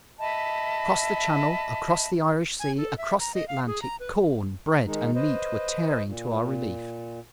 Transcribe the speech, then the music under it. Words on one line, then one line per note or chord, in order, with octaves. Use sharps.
Across the Channel, across the Irish Sea, across the Atlantic, corn, bread, and meat were tearing to our relief.
D#5 E5 A5 B5
G#5
A4
E5
A#5
D#5
F5
G#4
A#5
B4
D#3 G#3 D#4
B4 C5 D#5
A#2